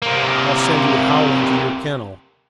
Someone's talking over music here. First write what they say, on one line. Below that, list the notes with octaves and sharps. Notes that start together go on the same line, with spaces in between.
I'll send you howling to your kennel!
C3 A#3